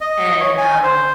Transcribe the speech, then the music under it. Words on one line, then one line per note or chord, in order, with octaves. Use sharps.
And, um,
D#5
C#5
G#5
C5